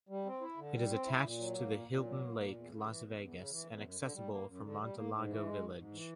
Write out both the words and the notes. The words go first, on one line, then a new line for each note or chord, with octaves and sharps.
It is attached to the Hilton Lake Las Vegas and accessible from MonteLago Village.
G3
C4
E4
D3
G3
C4
E4
A#2
F#3
A#3
A#2
A#2
F#3
A#3
A#2
E2
C#3
E3
E2
E2
C#3
E3
E2
F#2
D3
G3
A#3
F#2
D3
G3
A#3
G#2
E3
G#3
G#2
G#2
E3